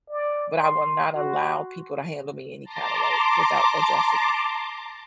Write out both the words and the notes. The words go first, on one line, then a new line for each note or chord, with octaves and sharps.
but I will not allow people to handle me any kinda way without addressing it.
D5
C6
F#4
A5 A#5 C6 D6